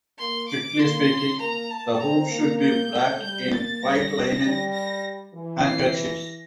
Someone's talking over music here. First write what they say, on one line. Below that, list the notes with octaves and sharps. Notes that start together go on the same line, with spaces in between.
Strictly speaking, the hoop should be wrapped in white linen handkerchiefs.
A#3 C6
D6
A#3 C6
A#3 A#5
A5
C4 A#5
A#3
G6
A3
G3 G6
A#3 A6
G3 A#6
G3
A#6
E3
C7
A#6